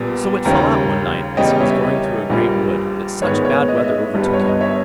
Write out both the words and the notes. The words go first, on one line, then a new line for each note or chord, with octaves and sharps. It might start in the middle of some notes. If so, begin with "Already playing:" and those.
So it fell out one night as he was going through a great wood that such bad weather overtook him.
Already playing: A#1 A#2 G3 B3
D#2 C#3 G3 C#4 G5 A#5
E2 C#3 G3 C#4 D#5 G5
C#5 E5
D#5
A#1 A#2 G3
G#2 D#3 G#3 B3 C#5
C#5
D#5
E5
D#5
G1 G2 G3 B3
C#5
D#5
C#5 E5